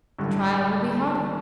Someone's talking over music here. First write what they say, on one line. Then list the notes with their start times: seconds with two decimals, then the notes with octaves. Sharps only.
"The trial will be harder."
0.18 A1 G2 D3 G3